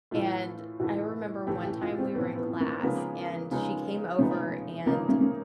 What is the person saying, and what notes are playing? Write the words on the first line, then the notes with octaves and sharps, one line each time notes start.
And I remember one time we were in class, and she came over and
A2 E3 A3 F4
A2 E3 A3 F#4
A2 E3 A3 G4
G4
F4
C4
A2 E3 A3 B3
B3
A#3
C#3 F3 G#3 A#3 B3 D#4
C#3 F3 G#3 B3 D#4
C#3 F3 G#3 A3 B3 D#4
C#3 F3 G#3 A#3 B3 D#4
A3
A3